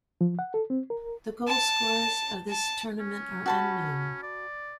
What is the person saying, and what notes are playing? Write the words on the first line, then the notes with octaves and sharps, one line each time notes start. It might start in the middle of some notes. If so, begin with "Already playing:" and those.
The goalscorers of this tournament are unknown.
F3
F#5
A4
C4
A#4
A5
A5
C#4
F#4 A5 B5
D5